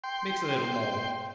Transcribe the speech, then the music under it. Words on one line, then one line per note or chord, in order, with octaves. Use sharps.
Mix a little more!'
G5 C6